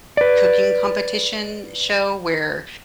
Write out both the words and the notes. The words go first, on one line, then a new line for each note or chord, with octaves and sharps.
cooking competition show where
B4 D5